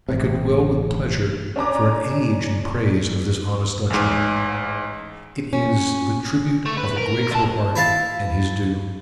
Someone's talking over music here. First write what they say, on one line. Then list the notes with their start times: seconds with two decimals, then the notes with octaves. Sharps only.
I could dwell with pleasure for an age in praise of this honest Dutchman; it is the tribute of a grateful heart, and his due.
0.09 A1 C3
1.56 C#4 D4 A#5 D6
3.90 A1 G#2
5.53 C#4
6.66 A3
6.77 B4
6.97 A#4
7.31 D3 A5
7.76 E4 F5 A5